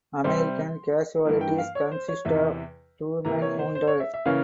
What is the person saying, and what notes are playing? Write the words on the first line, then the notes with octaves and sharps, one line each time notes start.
American casualties consisted of two men wounded.
C3 G3 C4 C6
G2 E3 A#3
G5
F5
C#5
C5
C#5
E2 C3 E3 E5
C3 E3 A#3 A#5
C#5
C5
C5
C#5
E5
E5
C#3 E3 A#3 C#4 F5